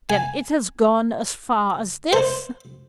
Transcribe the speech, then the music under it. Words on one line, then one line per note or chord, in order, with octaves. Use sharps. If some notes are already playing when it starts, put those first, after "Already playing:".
"Then it has gone as far as this?"
G#5
C5